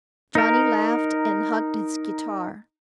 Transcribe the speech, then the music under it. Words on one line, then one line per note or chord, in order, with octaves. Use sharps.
Johnny laughed and hugged his guitar.
D#4 A#4